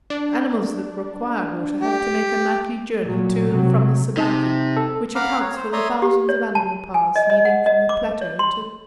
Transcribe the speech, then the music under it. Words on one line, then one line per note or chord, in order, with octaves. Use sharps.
The animals that require water have to make a nightly journey to and from the Sabaki, which accounts for the thousands of animal paths leading from the plateau to the river.
D4
G4
A#2 F#3
C3 F#3
C3 D#4 A5
A4
F5 F#5 A#5 B5 D6 F6
C#5
C5
C#5 D5 E5 A#5 C6 D#6
G4
C#5
A5
G#5
D#5
D#5
F#5
D#5
D6
C#5
C6